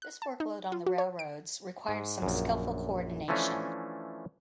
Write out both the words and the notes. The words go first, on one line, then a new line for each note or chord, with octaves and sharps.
This workload on the railroads required some skillful co-ordination.
F#6
A5
D#4
F4
F#4
C#5
D7
G#2
A#1 F#2
E3 F3 A3 C#4 D4